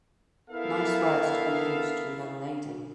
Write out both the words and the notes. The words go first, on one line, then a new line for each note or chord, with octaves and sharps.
Nice words to be used to a young lady!
B3 E4 A4 A#4 E5 F5